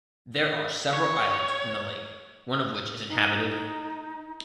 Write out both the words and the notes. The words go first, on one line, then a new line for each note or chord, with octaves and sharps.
There are several islands within the lake, one of which is inhabited.
C#5
D#4